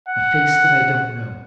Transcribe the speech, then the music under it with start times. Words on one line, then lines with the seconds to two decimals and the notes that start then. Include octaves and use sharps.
A face that I don't know.
0.08 F#5